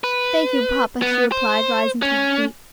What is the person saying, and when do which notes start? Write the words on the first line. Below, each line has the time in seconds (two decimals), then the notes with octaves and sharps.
"Thank you, papa," she replied, rising to her feet.
0.04 B4
1.02 B3
1.32 C5
2.02 C#4